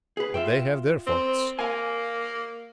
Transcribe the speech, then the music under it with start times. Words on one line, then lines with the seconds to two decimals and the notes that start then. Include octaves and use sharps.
But they have their faults.
0.17 G#4 B4
0.34 F4 E5 G5
1.07 C4
1.59 A#3 F5 G#5